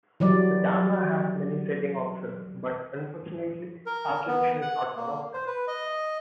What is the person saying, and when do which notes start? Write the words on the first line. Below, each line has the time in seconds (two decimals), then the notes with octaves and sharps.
The camera has many setting options, but, unfortunately, saturation is not one of them.
0.20 E3 F#3 G3 D5
3.86 A#4
4.28 B3
4.62 F#5
4.97 A#3
5.34 C5
5.47 B4
5.68 D#5